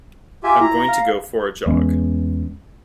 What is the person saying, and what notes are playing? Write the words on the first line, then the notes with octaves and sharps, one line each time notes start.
I'm going to go for a jog.
F4 G4 E5 G#5
E4 A#5
F5
E2 G#3 B3 C#4